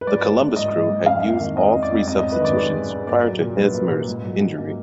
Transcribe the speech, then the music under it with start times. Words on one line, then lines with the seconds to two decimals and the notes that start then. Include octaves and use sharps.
The Columbus Crew had used all three substitutions prior to Hesmer's injury.
0.01 B4
0.07 G#2 D5
0.23 A#3
0.40 G#2
0.56 G#2 D#5
0.74 A#3
0.90 G#2
1.06 F2 F5
1.24 A#3
1.40 D#3
1.56 F2 D#5
1.74 F2
1.83 D5
1.91 F2
2.06 G#2 D#5
2.19 D#5
2.23 G#2
2.32 B4
2.40 D#3 D5
2.57 G#3 D5
2.74 G#3
2.91 G#2
3.07 A#3 D5
3.24 F#3
3.41 A#2
3.57 F#3 B4
3.74 A#3
3.91 A#2
4.08 G#2
4.25 F#3
4.41 G#2
4.58 A#3